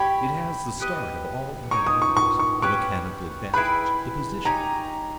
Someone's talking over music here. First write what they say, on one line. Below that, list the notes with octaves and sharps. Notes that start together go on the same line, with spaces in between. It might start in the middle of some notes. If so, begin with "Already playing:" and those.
It has the start of all other languages--the mechanical advantage--the position.
Already playing: G4 C#5 G5 B5
B3 G4 B4 D#5
D#4 A#4 C#5 C#6
D#6
C#6
C#6
C#6
C#4 G4 B4 G5 C#6
E4 G#4 B4 G5 B5
D#4 G4 C#5 G#5 A#5